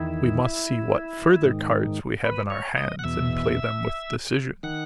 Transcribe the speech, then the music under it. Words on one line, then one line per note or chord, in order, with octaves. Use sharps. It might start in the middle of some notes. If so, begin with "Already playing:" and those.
We must see what further cards we have in our hands and play them with decision.
Already playing: E2 D#3 E4
G#2 D#3
B4
C#5
D#5
F#5
E2 B2 E5
D#3 F#5